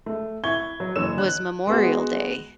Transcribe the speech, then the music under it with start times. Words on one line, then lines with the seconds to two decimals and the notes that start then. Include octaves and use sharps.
was Memorial Day
0.06 A3
0.44 E4 C#6 G#6 G7
0.80 F#3
0.96 F#1 D3 E3 C#5 E6 E7
1.18 F#6
1.67 G#3 B3 F#4